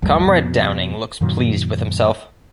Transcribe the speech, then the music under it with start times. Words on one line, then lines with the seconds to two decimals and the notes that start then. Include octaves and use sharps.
Comrade Downing looks pleased with himself.
0.02 G#1 D#2 F#3 G#3
0.26 F2 B2
1.21 F#2 A#2 D#3 F#3